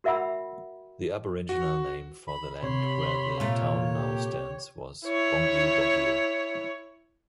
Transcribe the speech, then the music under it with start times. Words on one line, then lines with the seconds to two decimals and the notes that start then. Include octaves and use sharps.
The Aboriginal name for the land where the town now stands was "Bongil Bongil".
0.04 F#4 A#4 E5 F#5 B5 E6
1.49 F#4
2.28 B5
2.63 C3 C#5 B5 C6
3.40 A#2 A3 F4
3.95 G4
5.05 E4 C#5